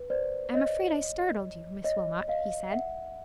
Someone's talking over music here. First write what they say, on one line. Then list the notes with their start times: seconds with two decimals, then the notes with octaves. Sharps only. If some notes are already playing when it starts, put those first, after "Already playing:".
"I am afraid I startled you, Miss Wilmot," he said.
Already playing: B4
0.10 C5 D5
0.54 C#5 D#5
1.84 C#5 D#5
2.28 D#5 F5
2.72 E5 F#5